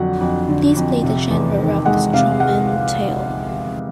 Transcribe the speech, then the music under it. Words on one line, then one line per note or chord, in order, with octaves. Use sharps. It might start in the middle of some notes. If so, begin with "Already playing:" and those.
Please play the genre Rock Strumentale.
Already playing: F2 D3 F#3 F#5
F2
D3
F2
C3
E2
D#3
G#3 F#5
C3 F5
F#5